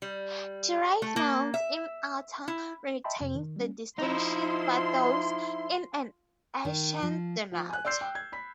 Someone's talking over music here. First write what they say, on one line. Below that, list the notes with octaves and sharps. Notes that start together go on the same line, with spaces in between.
Derived nouns in "-ator" retains the distinction, but those in "-ation" do not.
G3
A3
A#3
E5
E4
D#5 E5 G5 A5 B5 C6
F2 C3
D#3
G3 A#3 C#4
F3 D#4 E4 C6
D#3
F3
F3
G#5 F#6
D5 C6 E6 G6 C7
G5
G#6
B5 B6